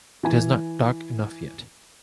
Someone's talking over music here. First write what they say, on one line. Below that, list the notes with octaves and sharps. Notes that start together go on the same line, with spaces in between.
It is not dark enough yet.
E3 G#5